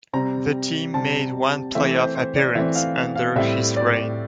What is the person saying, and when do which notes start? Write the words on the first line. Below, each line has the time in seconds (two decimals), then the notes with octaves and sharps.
The team made one playoff appearance under his reign.
0.13 C3 G3 C4 A#5
0.94 C3 G3 C4 A5
1.75 E3 A3 C4 E5
1.95 C5
2.15 C5
2.35 D5
2.55 E3 A3 C4 E5
2.75 F5
3.16 F5
3.36 A2 G3 C4 E5
3.76 D5